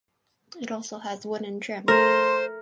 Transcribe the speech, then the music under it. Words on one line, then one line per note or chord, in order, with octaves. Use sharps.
It also has wooden trim.
A3 A#4 C5 C6